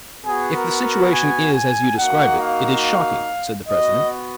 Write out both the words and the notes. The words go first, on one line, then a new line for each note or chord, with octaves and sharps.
"If the situation is as you describe it, it is shocking," said the President'.
B3 F#4 G#4
A#4
A#4
G#5
G#5
A#3 D#4 F#4 F#5
F5
B3 F#4 D#5